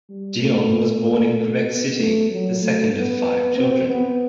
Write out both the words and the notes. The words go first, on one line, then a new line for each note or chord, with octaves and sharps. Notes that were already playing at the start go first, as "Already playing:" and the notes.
Dion was born in Quebec City, the second of five children.
G3
A3
B3
A3
F#3
A3
B3
C4
B3